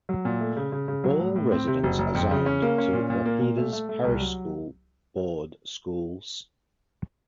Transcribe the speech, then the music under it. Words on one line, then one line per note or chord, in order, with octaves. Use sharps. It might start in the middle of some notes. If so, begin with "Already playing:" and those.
Ball residents are zoned to Rapides Parish School Board schools.
F#3
A#2
A3
C#3
C#3
C#3
F#3
A2
A2
C4
C3
F#1
F#1
F2
C#3
C#4
A#3
C#4
A#2
A#2
A#3
A#2
A3
A3
A3
C2
F#3